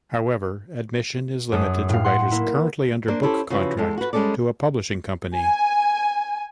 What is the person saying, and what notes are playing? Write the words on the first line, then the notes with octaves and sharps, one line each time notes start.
However, admission is limited to writers currently under book contract to a publishing company.
F#2 A4 D#6
A2 F5
F#5 C6
A#3 E4
A#3 D4 C5 D5
C#4 E4 G4 A4 C5
C#3 F3 E4 F#4 B4
E2 G#3 A4
F#4 B4
G3 G#3 C4 C#4 A4 D5
G#5